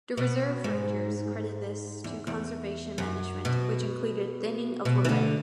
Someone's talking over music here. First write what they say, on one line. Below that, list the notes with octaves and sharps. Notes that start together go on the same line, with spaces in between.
The reserve rangers credit this to conservation management, which included thinning of woodland.
B2
G#2
E2
E2
F#2
B2
B2
E3
D2 D3